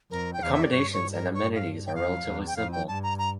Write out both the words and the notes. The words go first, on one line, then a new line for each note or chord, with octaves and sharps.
Accommodations and amenities are relatively simple.
F2 A#4
G5
E2 F5
E5
D5
G2 C#5
C#5
A#4
C#5
F5
G5
F2 F5
E2
G5
F2 F5
G5
G2 A5
A#5
A#5